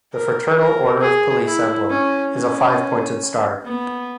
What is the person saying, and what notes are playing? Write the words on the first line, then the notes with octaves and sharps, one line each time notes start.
The Fraternal Order of Police emblem is a five-pointed star.
A#4
A#4
G#4
E4
C#4
C#4
B3